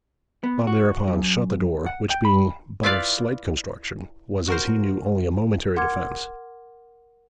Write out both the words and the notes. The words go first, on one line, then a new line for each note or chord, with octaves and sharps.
Bob thereupon shut the door, which being but of slight construction, was as he knew only a momentary defence.
B3
F#4
F#2
F#5
G5
B5
E4 F4 B4 D5 F5
F#4 A#4 C5
A#4 F#5 C6 D6 F6 G#6